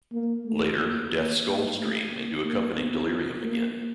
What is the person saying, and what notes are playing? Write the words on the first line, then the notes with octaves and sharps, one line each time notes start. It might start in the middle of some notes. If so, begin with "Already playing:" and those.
Later, Death scolds Dream into accompanying Delirium again.
A#3
A3
A#3
A#3
A#3
A3
A#3
A#3
B3
A#3